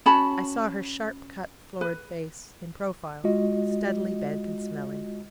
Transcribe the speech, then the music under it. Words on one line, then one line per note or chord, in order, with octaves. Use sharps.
I saw her sharp-cut, florid face in profile, steadily bent and smelling.
C#4 F#4 A5 B5
B4
G#3 F4 F#4 D#5